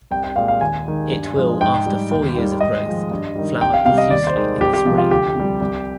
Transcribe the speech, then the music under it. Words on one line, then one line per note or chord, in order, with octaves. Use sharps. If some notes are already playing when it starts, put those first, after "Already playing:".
It will after four years of growth flower profusely in the spring.
C2 G5
G5
A#2 G#3 F5
F5
D#2 G#5
D#3 G#3
G2
F3 G#3
G#2 G5
G3
D#2
D#3 G3
G#2 D#5
F3 G#3
G2
D#3 G3
C2 G5
F5
C3 F5
G3
D#5
D#2 D5
C5
D#3 G#3
C2 G4
G4
C3 F3 G#3
F4
D2 G4
C3 G3
C2